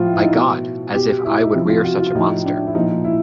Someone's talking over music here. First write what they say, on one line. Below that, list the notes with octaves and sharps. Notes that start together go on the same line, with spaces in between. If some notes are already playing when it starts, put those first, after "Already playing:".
By God, as if I would rear such a monster!
Already playing: A2 F3 F4
E4
D#4
B2
B2 G4
E4
D#4
C3 F3 E4
F4
F#4
F4
A2 F3 D#4
D4
E4
A#2 F3 D#4
E4